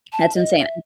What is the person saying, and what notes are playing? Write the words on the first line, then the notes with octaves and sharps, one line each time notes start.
That's insane,
A5
D#5
E5